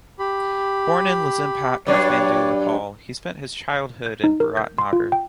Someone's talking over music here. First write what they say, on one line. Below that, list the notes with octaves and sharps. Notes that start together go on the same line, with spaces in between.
Born in Lazimpat, Kathmandu, Nepal, he spent his childhood in Biratnagar.
G4 B5
G2 F#3 D4 C#5 D5
G6
D#4
A#4
G6
C6
F4
G5